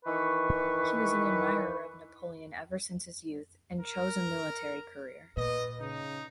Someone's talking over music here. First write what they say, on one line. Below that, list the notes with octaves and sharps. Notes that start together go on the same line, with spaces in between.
He was an admirer of Napoleon ever since his youth and chose a military career.
D#3 E3 B4 C#6
A#4
A#2 B4 D#5
C#3 D#4